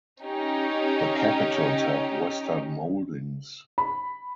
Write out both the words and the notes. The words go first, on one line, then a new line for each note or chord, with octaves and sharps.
The capitals have western moldings.
C#4 D#4 G4
B5